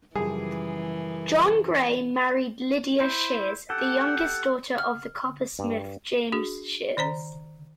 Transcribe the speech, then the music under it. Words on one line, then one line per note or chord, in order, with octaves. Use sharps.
John Gray married Lydia Shears, the youngest daughter of the coppersmith James Shears.
F#2 C#3 E3 F3 G3 G#4
E4 C5
G4 A4 F#5
F6
G2
D4 F#4 G#4
D#3 C5 D5 A#5